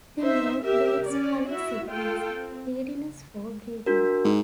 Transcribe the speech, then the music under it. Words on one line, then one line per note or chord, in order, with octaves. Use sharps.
The male bird's color signals readiness for breeding.
D#4 C5 E5
G4 A#4 E5
C#4 D5
E4 F#4 E5
A3 F4 A4 G5
C4
D4 F#4 A#4
G#2